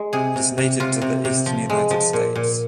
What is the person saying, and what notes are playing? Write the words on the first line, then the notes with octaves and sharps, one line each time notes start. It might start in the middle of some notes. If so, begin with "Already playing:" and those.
It is native to the eastern United States.
Already playing: G#3
C3 G#4
C3
C3
C3 F4
C3
C3
F3
G#3
F3
A#2
A#2